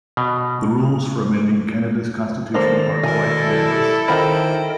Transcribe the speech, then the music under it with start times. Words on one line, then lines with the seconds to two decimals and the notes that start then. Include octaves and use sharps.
The rules for amending Canada's constitution are quite dense.
0.17 B2
2.54 D#3 A#3 A4 C5 D5 A#6
3.03 B2 E4 A4 A#4 G#5
3.72 G4
4.08 D#3 D#4 F4 A#4 C5 D#5 G5 B5